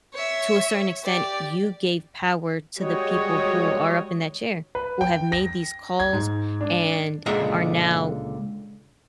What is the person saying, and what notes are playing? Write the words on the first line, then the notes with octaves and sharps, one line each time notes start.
to a certain extent you gave power to the people who are up in that chair? Who have made these calls and are now
C#5 E5
G4 D5
G3 G#3 F#4 C#5 D#5
B4
G5
A#6
G#6
G#2
D4
C#2 A#2 D3 G#3 E5 A#5